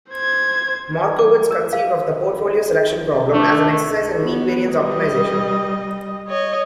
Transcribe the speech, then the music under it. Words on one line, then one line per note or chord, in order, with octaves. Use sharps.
Markowitz conceived of the portfolio selection problem as an exercise in mean-variance optimization.
C5 G#6
D6
A#4
F5
A3 D4
B3
G3 D#5
C#5 D#5